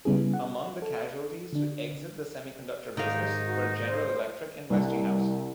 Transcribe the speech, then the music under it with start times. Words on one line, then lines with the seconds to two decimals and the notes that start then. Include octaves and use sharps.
Among the casualties to exit the semiconductor business were General Electric and Westinghouse.
0.05 C#3 G3 B3 C#4 E4 G#4
0.33 F#5
0.82 A4
1.53 D3 D4
2.97 G#2 D#3 D#4 G4 F5
3.46 F#4
3.86 C5
4.70 C2